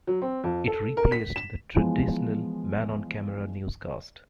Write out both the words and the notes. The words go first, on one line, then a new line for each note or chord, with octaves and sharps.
It replaced the traditional "man-on-camera" newscast.
F#3
C4
F2
A4
A#4
B6
E7
E3 F3 G#3 B3